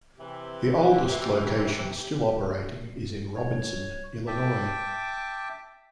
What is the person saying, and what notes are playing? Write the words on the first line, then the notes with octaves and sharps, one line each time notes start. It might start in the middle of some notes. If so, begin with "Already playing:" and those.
The oldest location still operating is in Robinson, Illinois.
C3 E3 G4
C#5
E5 G5 A5 D6